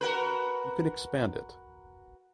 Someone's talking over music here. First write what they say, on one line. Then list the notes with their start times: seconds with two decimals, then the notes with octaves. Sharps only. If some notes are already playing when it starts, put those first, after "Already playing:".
You can expand it.
0.01 F#4 A#4 B4